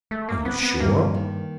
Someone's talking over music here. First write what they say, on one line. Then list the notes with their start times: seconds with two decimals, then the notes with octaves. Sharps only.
"Are you sure?"
0.11 G#3 A3
0.29 A#3
0.45 B3 C4
0.63 B3
0.79 G2 A#3
1.14 D#3